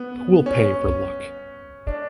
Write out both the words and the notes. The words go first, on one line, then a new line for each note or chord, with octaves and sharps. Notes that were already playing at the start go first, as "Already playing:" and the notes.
Who will pay for Luck?
Already playing: B3
C#4
D4